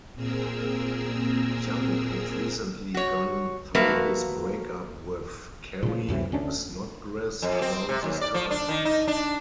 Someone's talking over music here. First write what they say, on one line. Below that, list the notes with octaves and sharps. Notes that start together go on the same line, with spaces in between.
Young had recently gone through his breakup with Carrie Snodgress around this time.
A#2 C4 G#4 A#4 E6
F#4 C#5
F3 A#3 F#4 A#4 B4 E5
A#2 C#3 F3
C#2 F#2 C3 E3
D2 C#4 D4
F2
C4
C3
D#2
D5
F3
D4
D#3
D#4
D4